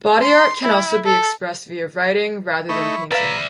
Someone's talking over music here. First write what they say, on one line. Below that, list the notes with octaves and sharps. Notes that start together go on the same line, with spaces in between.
Body art can also be expressed via writing rather than painting.
C6
E4
A4
A3 D#4 E4 B5 C#6
B4 D5 E5 F5 A#5 B5